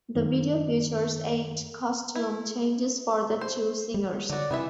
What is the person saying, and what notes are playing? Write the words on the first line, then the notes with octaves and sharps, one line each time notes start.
The video features eight costume changes for the two singers.
F#2 D#3
E4
C5
G3
D3 F#3 F#4 D5
C3 E3 B3 E4 E5